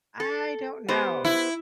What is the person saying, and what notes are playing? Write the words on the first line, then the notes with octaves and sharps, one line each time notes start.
I don't know.
A4
B3 G4 C5
E4